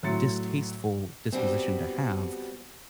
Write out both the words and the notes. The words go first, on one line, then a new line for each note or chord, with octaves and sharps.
distasteful disposition to have.
A2 F#3 E5 C6 A6 C#7
B2 G3 B3 C4